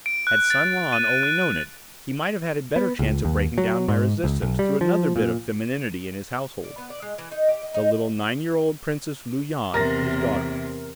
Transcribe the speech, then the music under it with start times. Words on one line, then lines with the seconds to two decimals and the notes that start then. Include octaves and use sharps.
Had San-Lan only known it, he might have had a better chance of breaking down my resistance through another bit of femininity in his household, the little nine-year-old Princess Lu-Yan, his daughter.
0.06 D7
0.27 F#6
0.50 A6
0.93 D#7
1.23 F#6
2.76 B3
2.99 C#2
3.25 D#2
3.58 F#3
3.88 G#2
4.24 C#2
4.42 B1
4.59 G3
4.81 F3
5.16 A#2
6.64 D5
6.78 B3
6.90 D5
7.02 G#3
7.18 E3
7.31 D#4
7.48 G4
7.63 D#5
7.74 D#4
9.74 E2 C3 A#4 A6 A#6